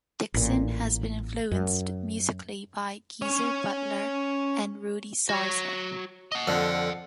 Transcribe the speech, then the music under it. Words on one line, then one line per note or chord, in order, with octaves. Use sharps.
Dixon has been influenced musically by Geezer Butler and Rudy Sarzo.
A1 A#2
F#2
C#4 C#5
F#4 C#5
D#5 F#5
F2 D3